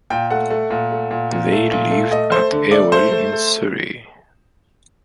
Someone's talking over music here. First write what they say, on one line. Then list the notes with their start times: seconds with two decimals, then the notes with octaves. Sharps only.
They lived at Ewell in Surrey.
0.10 A#2 G5
0.30 A3 F#5
0.50 A3
0.70 A#2
0.91 A3
1.11 A#2
1.31 A#2
1.52 A3
1.71 A#2
1.91 A3
2.11 A3 D#5
2.32 A3 C5
2.52 D3
2.71 A3 D5
2.92 A3 C5
3.12 A3
3.32 A3